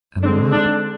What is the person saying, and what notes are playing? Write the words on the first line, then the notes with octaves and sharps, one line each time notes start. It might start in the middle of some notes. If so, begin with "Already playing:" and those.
And why?
D3 G#3 C4 D4
D4